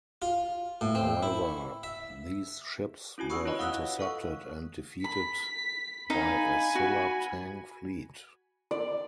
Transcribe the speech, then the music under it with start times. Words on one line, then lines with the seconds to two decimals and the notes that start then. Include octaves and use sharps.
However, these ships were intercepted and defeated by a Silla-Tang fleet.
0.22 F4
0.81 A2
0.95 C4
1.23 E4
1.83 E5
3.18 C#4 E4 F#4 G#5
3.30 G#5 B5 C#6 D#6 E6
3.45 E4 F4 B4 C#5 D#5
3.59 F5 F#5 D#6 E6 F#6
3.73 F#6
3.99 A4 F#5 C#6
5.04 B5 B6
6.10 D#4 F5 G#5 B5
6.75 F#4
8.71 D5